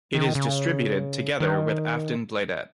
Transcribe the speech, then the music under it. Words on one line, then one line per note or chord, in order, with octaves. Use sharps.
It is distributed together with "Aftonbladet".
D#3
C#3
D#3